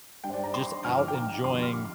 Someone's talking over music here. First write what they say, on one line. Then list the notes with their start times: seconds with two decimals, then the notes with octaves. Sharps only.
just out enjoying
0.24 G2 G3 G5
0.30 C5
0.34 D5
0.44 A#5
0.54 C6
0.84 G2 D3 F3 F6
0.99 D6
1.08 G5
1.15 A#5
1.29 G5
1.44 F2 D3 G3 C6
1.62 F6
1.73 D6